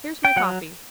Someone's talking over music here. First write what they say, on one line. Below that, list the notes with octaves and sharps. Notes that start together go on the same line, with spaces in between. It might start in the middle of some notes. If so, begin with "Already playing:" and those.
Here's my coffee.
G5
F#3 F#5